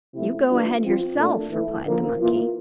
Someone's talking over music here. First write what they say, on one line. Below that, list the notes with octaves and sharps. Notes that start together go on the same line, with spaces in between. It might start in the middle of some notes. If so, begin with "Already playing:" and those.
"You go ahead yourself," replied the monkey.
C3 F3 A3 E4
E3 G3 D4 F4
F3 C4 F4
A#2 A3 D4
E3 A3 E4
D3 F3 A#3
E3 A#3 F4